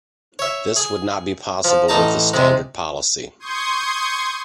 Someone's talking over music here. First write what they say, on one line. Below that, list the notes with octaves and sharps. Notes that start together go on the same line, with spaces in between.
This would not be possible with the standard policy.
C#5 E5
G#4
F3
A1 D#4 A5 A#5
C3 G#3
C6 C#6 D#6 G6 G#6